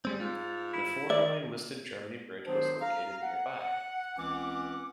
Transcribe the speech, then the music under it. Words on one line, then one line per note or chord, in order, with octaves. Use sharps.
The formerly listed Germany Bridge was located nearby.
G3 G#3 C4
G#2 F4
E4
D5 E5
D#3 F#3 B3 D4 G4 C5
F5 A#5
F#5
C#2 E3 C4 C#4 F#5 D6